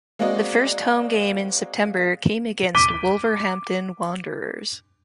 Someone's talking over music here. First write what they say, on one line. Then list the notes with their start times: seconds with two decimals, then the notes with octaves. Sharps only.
The first home game in September came against Wolverhampton Wanderers.
0.19 G#3 A#3 C4 F#4 D5 D#5
2.75 D6 B6 D#7 G7